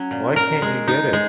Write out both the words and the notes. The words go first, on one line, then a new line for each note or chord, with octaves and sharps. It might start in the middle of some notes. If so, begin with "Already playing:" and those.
Why can't you get it?
Already playing: F#3 C#4
A#2
A#4
G#3
D#4
G#3